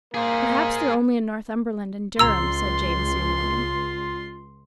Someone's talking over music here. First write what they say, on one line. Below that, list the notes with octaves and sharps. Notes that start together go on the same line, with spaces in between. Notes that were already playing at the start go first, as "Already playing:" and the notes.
'Perhaps they're only in Northumberland and Durham,' said Jane soothingly.
A#3 G#4 A#4 C5
C#2 F4 A#5 C6 E6